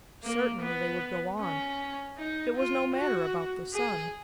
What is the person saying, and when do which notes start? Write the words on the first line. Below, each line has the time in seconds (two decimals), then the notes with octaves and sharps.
Certainly they would go on. It was no matter about the sun.
0.23 A#3
0.61 B3
1.40 C#4
2.18 D#4
2.56 F4
2.95 F#4
3.73 G#4